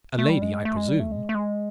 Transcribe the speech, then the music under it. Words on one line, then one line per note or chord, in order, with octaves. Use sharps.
A lady, I presume.
A3
G3
G#3
A3
G#3
G3
A3
G#3
A3
G#3